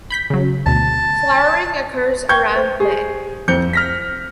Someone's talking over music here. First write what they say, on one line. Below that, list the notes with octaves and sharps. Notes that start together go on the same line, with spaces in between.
Flowering occurs around May.
B5 G6 B6
C#3 F#3
D2 B2 A5
B4 G5 C#6 G6 G#6
C5
G4 G#4
F2 E4 C5 D6 G6 C#7
F6 A#6 B6